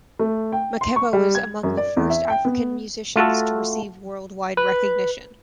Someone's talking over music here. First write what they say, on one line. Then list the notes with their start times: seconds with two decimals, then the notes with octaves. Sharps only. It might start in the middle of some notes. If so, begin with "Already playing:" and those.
Makeba was among the first African musicians to receive worldwide recognition.
0.19 A3
0.52 G5
0.81 C6
0.96 C#6
1.13 G3
1.35 G#6
1.63 F#2
1.77 D5
1.97 E2
2.10 E5
2.30 G5
2.45 B3
3.16 A3 F4 F#4 A4
4.57 B4